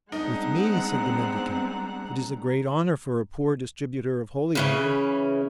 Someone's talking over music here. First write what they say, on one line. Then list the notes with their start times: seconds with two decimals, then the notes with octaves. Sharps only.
"With me!" said the mendicant; "it is a great honor for a poor distributor of holy water."
0.12 G3 G#3 B3 C4 D4 D#4 F#5 A#5
4.55 C#3 E3 C#4